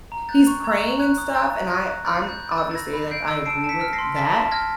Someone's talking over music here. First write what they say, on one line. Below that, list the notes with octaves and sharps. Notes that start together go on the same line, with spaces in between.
he's praying and stuff, and I I'm obviously, like, I agree with that,
A#5
F#6 G6 A6
C#6
A#5 G#6
A#5
F#6 G#6
D#6
A#5 G6 A6
A#5
F#6 G#6 A#6
D#6
B5 G6 A6
B5
G6
G6
G6 A6
E6
A6
B5 G#6 A#6
B5
G6 C7 D7
E6
A5 C7 D7
A5
B6 C#7
F6
A#6 C7
C6
A5 A6 B6
A5
F6 G#6 A#6